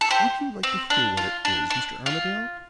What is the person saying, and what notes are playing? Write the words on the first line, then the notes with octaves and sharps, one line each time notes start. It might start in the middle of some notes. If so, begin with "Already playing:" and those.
"Would you like to hear what it is, Mr. Armadale?"
A4
G4 C5
C4
D4
F4
D4
D4
F4